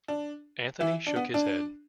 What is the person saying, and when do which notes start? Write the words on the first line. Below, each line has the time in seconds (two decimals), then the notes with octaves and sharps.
Anthony shook his head.
0.08 D4
0.80 E3 E4
1.07 D4
1.16 B3
1.34 D4